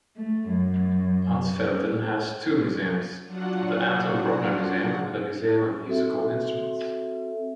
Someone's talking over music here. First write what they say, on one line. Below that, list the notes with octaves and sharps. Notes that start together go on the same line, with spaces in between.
Ansfelden has two museums, the Anton Bruckner Museum and a museum of musical instruments.
A3
F#2
F#3 D4 F4 F#4 F#5
C4 F#4 A4 E5